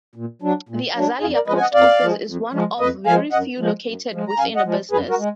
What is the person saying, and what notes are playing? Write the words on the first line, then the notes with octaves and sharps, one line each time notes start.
The Azalia post office is one of very few located within a business.
A#2
F#3 D4
A#2
F#3 D4
F2 F4 G#4
A#4 D5
F3 G#3 B4 D#5
G#5
D#5 F#5
F2 D5 F5
F3 G#3
F2
F3 G#3
F2 B4 D#5
F3 G#3 F5 G#5
F#2 D#5 F#5
F3 G#3
F#2
F3 G#3
A#5
F#2 F5 G#5
D#5 F#5
F3 G#3
F#2 G#4 B4
F#4 A#4
G#3